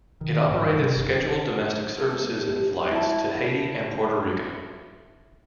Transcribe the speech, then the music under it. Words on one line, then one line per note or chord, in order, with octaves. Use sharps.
It operated scheduled domestic services and flights to Haiti and Puerto Rico.
D#3
G#2
G2
C3
G1
G#3 A4
B3 A4
G4
E4 A5